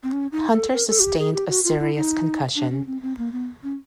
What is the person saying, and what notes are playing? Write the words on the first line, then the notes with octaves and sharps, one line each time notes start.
Hunter sustained a serious concussion.
C4
C#4
D#4
A4
A#4
A4
F#4
G4
G#4
G4
F#4
F4
E4
D#4
D4
C#4
C4
C4
A#3
B3
C#4